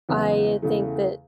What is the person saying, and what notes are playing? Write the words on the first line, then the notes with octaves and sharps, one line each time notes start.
I think that
E2 C#3 F#3 B3 E4
E2 C#3 E3 A3